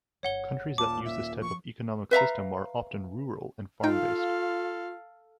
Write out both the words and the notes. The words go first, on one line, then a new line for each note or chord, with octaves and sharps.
Countries that use this type of economic system are often rural and farm-based.
G1 C#5 F#5 G7
D#1 A#2 A5 D6
E5
F3 C#6
B4 E5 F5 A#5
D#4 F4 A4 F5 G5